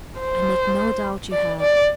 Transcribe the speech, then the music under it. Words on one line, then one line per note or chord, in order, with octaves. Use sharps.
I make no doubt you have.
C5
D5
D5